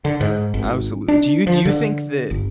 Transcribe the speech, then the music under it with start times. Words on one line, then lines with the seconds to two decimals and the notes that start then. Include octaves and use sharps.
Absolutely. Do you do you think that
0.05 D3
0.21 G#2
0.54 G#1
1.08 D4
1.47 F3
1.65 D3
2.31 G1